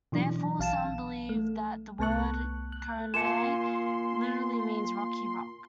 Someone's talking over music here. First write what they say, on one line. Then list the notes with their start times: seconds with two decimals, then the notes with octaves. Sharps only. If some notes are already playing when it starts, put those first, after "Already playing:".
Therefore, some believe that the word Kranai literary means "rocky, rock".
0.12 B2 E3 F#3 D4
0.59 A#1 F5 A5 E7
1.29 A3
1.99 C2 A3 B3 A5 C#6 F#6
2.72 F#6
3.14 A#3 F4 G#5 C6 C#7 E7